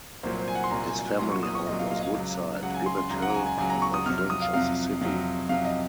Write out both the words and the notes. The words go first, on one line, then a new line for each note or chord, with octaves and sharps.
His family home was Woodside, Gibbet Hill, on the fringe of the city.
C2 A#2 F#3 C5
C5
G#5
F#5
C6
C2 A#2 F#3 A#5
G#5
C2 A#2 F#3 C6
C#6
D#6
C#6
C2 A#2 F#3 D#5
F5
F5
D#5
F5
C#2 C#3 F#3
C#2 C#3 F#3 F#5
G#5
C6
C6
C#2 C#3 F#3 A#5
F#5
A#5
G#5
G#5
C#2 C#3 F#3 G#5
A#5
C#6
D#6
F2 C3 F#3 F6
F6
D#6
F5
F2 C3 F#3 F5
F2 C3 F#3
F2 C3 F#3 F5
D#5